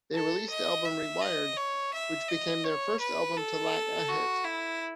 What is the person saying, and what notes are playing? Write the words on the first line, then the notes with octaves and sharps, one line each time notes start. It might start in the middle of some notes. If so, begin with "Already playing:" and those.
They released the album "Rewired", which became their first album to lack a hit.
A4
D#5
E5
D#5
C#5
E5
D#5
C#5
B4
A4
F#4
E4